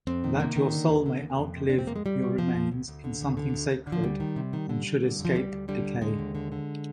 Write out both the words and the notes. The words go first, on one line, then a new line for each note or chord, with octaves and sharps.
That your soul may outlive your remains in something sacred and should escape decay...
F2 C4
D#3
C3 A#3
D#3
D3
D#2
D3
D#2
F2
C3
F2 D4
C4
F2 A#3
G#3
F2 G3
C3
F2 F3
F2
D2
D2
D3
D2
D3
D2
D2
D3
F3
D2 G3
D#3
C3
D#3
D3
D3
D3
F2
F3
D2 G3
D2
D3 G3
D2
D3 G#3
D#2
D3
D3